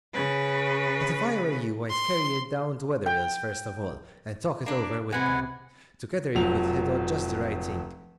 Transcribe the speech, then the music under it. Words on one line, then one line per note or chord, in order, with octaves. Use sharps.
But if I were you, I'd carry it down to Wetherell's first of all, and talk it over with them. Together you could hit on just the right thing.
C#3 B4
C6
G5
A#3 D4
C3 G#3 B3 F#5 G#5
F1 F3 F#3 F7